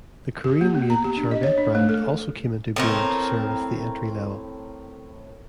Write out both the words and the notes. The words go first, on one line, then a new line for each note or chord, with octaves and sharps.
The Korean-made Charvette brand also came into being to service the entry-level.
G4
A#3
B3
A#5
G4
D4
D#5
C#5
D4
A3
A4
A2 C4 A#4